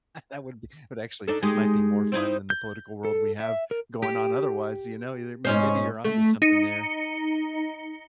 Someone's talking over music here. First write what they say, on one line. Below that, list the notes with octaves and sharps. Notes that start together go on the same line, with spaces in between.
That would be but actually, might be more fun than the political world we have going on otherwise, you know, your they may maybe you're on to something there.
D4 D#4 A4
G#3 D#4 G4
C4 D#4 E4
G6
A4
E5
A#4
G4
G#2 C#4 C5
A3
D#4 C#7